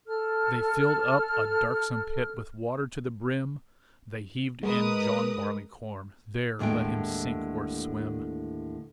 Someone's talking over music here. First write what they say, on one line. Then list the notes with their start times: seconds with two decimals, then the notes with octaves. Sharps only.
They filled up a darksome pit With water to the brim, They heaved in John Barleycorn-- There let him sink or swim.
0.07 A4 F6
4.63 G#3 A#4 B4 D#6
6.59 D#2 A2 D3 G#3 G5